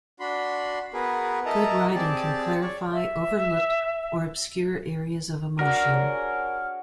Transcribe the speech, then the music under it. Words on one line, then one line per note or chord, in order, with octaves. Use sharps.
Good writing can clarify overlooked or obscure areas of emotion.
D4 F#4 B5 C6
B3 F#4 G#4 A#4 B4
E4 A4 A#4 D#5 A5 A#5
C4 G4 G#4 D5 A5
C#5 D5
E5
D4 F#4 A#4 F#5
G#4 C#5